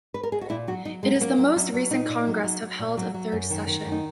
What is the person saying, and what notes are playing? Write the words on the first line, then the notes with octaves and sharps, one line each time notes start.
It is the most recent Congress to have held a third session.
B4
A#4
G#4
F#4
A#2 E4
F#3 F#4
F#3 D#4
F#3 G#3
B3
F#3 A#3
F#3
F#3
F#3
A#2 D#4
A#2
F#3
F#3
F#3
A#2
F#3
F#3
F#2
D#3
D#3
F#2
D#4